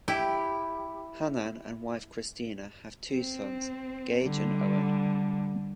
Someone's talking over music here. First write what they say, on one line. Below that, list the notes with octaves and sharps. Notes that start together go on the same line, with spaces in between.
Hannan and wife Kristina have two sons - Gage and Owen.
E4 G4
C4
D3 G3